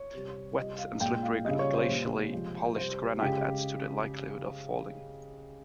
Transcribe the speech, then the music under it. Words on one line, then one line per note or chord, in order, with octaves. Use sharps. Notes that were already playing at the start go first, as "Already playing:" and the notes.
Wet and slippery glacially polished granite adds to the likelihood of falling.
Already playing: C#5
C3 G3
C3 G3 D#5
F5
A#2 G#3 G5
F5
C#3 G3 D#5
C#5
C5
A#2 G3
C3 F3 G#3
C3 G3 C5
C#3 G#3 G4